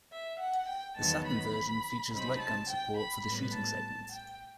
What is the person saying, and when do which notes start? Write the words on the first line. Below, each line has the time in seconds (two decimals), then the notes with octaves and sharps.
The Saturn version features light gun support for the shooting segments.
0.11 E5
0.40 F#5
0.68 G5
0.97 E2 D#3 F#3 B3 D#4 A5
1.26 B5
2.11 C3 F#3 C4 D#4 B5
2.40 A5
2.68 G5
2.97 B5
3.25 A2 G3 B3 B5
3.54 A5
4.11 G5